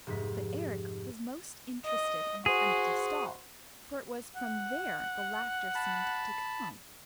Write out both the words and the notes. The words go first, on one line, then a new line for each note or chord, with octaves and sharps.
But Eric was most interested in the empty stall, for it was from there the laughter seemed to come.
F1 G#2 B6
D#5
F#4 G#4 C5
F#5
A5 B5